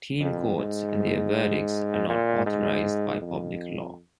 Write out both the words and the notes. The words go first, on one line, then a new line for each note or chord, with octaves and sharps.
Teen courts and their verdicts are not authorized by public law.
F2
G#2
A#2
G#2
F2